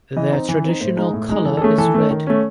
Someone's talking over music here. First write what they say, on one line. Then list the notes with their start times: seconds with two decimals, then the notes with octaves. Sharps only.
Their traditional colour is red.
0.17 E3 D#5
0.32 C4 D#4
0.49 E3
0.65 C4 D#4
0.81 A2 C5
0.97 G#3 D#4
1.13 A2
1.29 G#3 D#4
1.45 E3 A4
1.57 A4
1.62 A3 C#4 G#4
1.78 E3 A4
1.94 A3 C#4
2.11 D#3
2.27 A3 C#4